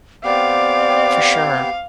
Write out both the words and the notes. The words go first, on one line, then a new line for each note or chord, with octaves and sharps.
For sure.
B3 C4 G4 D5 F5 D6